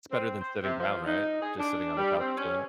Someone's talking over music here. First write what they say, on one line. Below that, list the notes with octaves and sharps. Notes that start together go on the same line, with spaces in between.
It's better than sitting down, right? Just sitting on the couch doing it.
C4
C5
C3
F3
D#4
G#4
D4
G3
C4
C#4